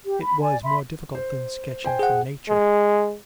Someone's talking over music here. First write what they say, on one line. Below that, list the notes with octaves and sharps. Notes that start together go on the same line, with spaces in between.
It was more difficult than sketching from nature.
G4
B5
D5 G#5
E5 B5 C6
C5
C5 G5 G#5
G#4 F#5
G#3